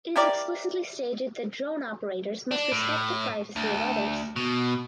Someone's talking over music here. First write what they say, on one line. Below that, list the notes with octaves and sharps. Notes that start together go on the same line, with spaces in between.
It is explicitly stated that drone operators must respect the privacy of others.
E4 G4 A#4 D5
D4
A2
D2
B2